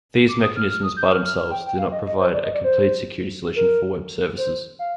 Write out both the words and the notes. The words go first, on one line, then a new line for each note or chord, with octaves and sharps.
These mechanisms by themselves do not provide a complete security solution for Web services.
D6
D#6
F6
F6
D#6
G6
F6
F6
F6
G5
G5
F5
D#5
D#5
C5
D5
D#5
D5
C5
A#4
C5
F5